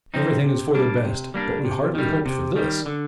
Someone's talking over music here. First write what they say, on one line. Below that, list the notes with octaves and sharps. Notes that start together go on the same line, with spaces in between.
Everything is for the best, but we hardly hoped for this!
F3 C4 D#4
C3
G3 A#3 D4
C3
G3 A#3 D4
C3
D#3 G3
C3
D#3 G3
D3